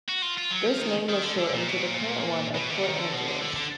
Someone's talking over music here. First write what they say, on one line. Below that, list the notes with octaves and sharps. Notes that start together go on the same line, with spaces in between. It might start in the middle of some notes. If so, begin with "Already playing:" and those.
This name was shortened to the current one of Port Angeles.
F#4
F4
F4
F#3
F3
D#3
D#3
D3
D3
A#2
B2
A#2
B2
D3
D#3
D3
B2
D3
D3
D3